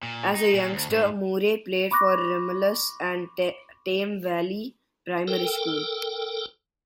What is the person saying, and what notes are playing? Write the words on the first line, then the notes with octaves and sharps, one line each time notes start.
As a youngster, Moore played for Romulus and Tame Valley Primary School.
A#2
D#4
A#2
D2
G#2
B5 C#6 D6 F#6 A#6
A4 A#4 G5